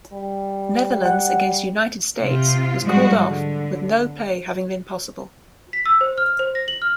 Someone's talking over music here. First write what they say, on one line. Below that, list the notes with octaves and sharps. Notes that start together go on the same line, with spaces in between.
Netherlands against United States was called off with no play having been possible.
G3
F#5
C3 F4
G#2 F3 G3 G#3 F#4
D3
B6
E6
C5
F6
C5
A#6
F#7
F6